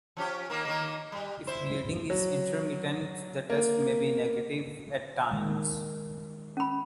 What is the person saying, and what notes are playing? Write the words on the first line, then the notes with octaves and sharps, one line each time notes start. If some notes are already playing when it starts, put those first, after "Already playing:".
If bleeding is intermittent the test may be negative at times.
F3 C#4 G4
D#3 A#3
D#3 A#3
G3
E4 C5
F#3
A#3
D#3 G#3
C#4 B5